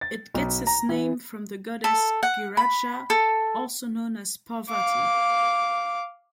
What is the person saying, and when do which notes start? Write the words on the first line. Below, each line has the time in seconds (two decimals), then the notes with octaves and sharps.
It gets its name from the goddess Giraja, also known as Parvati.
0.01 A6
0.34 B1
0.67 A#5
0.89 E3
1.84 A4
2.23 F#5
2.57 B5
3.10 A4
4.69 F5 D6